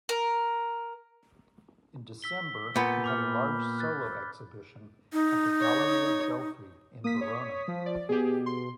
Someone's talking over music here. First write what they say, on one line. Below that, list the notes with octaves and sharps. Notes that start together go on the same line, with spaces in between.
In December he had a large solo exhibition at the Galleria Ghelfi in Verona.
A#4
E6 B6 G7
A#2 B3 G6
B5 D6 F6
F#6 A6
D#4
C#5
A#3 D#6 B6
C#5
F3
D5
B2 G4 G#4
C6